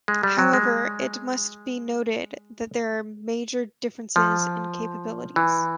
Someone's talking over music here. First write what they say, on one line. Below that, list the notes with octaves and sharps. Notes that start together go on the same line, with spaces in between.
However it must be noted that there are major differences in capabilities.
G#3
G3
F#3
G#3
F3
E3